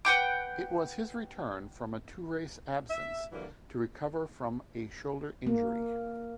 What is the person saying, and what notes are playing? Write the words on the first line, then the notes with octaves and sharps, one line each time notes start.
It was his return from a two-race absence to recover from a shoulder injury.
B4 F#5 G5 D6
E5
D3 E3 F#3 G3 A#3 E4
A#3